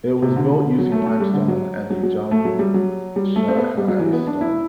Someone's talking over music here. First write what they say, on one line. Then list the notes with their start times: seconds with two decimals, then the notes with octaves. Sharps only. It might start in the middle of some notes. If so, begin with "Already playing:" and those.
It was built using limestone and the Jung Shahi stone.
0.22 C3
0.36 D3
0.50 D3
0.64 D3
0.79 F#3
0.92 A3
1.06 A3
1.20 G3
1.34 D3
1.48 F#3
1.90 F#3
2.03 F#3
2.31 A3
2.45 F#3
2.59 G3
2.74 F#3
3.16 G3
3.36 A3
3.48 C4
3.57 B3
3.77 G3
3.88 F#3
3.99 E3
4.13 B3
4.27 D4
4.41 E4